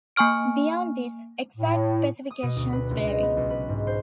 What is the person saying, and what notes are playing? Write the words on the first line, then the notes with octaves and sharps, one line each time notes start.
Beyond this, exact specifications vary.
A#3 G#5 C#6 F6 D7
A2
D#6
B2
D2
B4
C#2
D#5
B3
B1
B4
G#2
C5